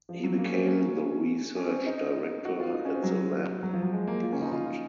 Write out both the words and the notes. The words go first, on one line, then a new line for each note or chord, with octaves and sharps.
He became the research director at the Lamp Plant.
F3
F#3
A#3
C#4
C4
C#4
C#4
C#4
C4
D#4
F#4
F4
D#4
C#4
C4
F#3
F#3
F3
F#3
G#3
A#3
F4
C#4
D#4
F4
F4